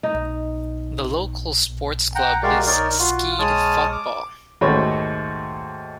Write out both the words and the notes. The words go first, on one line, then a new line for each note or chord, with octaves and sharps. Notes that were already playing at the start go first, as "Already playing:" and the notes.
The local sports club is Skeid Fotball.
D#4
F#5 G5 A#5
G#3 F#4 G4 A#4 D5 F5
D#4 A#4 C#5 D5
F4 F#4
G#3 C#5 A5 D#6 F6
D6
D#2 G#2 A3 F#4 C#5 B5